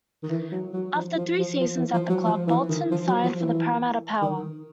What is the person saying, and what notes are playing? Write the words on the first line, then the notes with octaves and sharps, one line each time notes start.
After three seasons at the club, Bolton signed for the Parramatta Power.
D#3
E3
F#3
F#3
F3
F3
F3
F3
E3
F3
F#3
F3
E3
D#3
F3
F#3
F3
E3
D#3